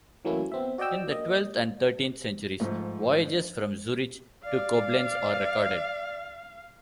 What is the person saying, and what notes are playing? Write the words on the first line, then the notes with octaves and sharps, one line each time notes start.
In the twelfth and thirteenth centuries, voyages from Zurich to Koblenz are recorded.
E3 F#3 A3 A#3 C#4 E4
B3 C4 E5
F#4 D5 D#5 G5 E6
A#3 D#5
G#2 F3 A3
D5 F5